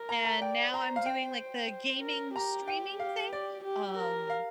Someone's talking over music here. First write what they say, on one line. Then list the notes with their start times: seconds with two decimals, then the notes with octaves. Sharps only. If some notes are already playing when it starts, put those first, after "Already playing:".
And now I'm doing like the gaming streaming thing, um
Already playing: A#4
0.09 A#5
0.25 A#5
0.41 D5 G5
0.74 C5 A#5
0.96 F5
1.06 G5
1.70 C5
2.02 A#4
2.35 G4 A#5
2.68 G5
2.99 F5
3.33 D5
3.64 G4
3.97 A#4
4.30 F5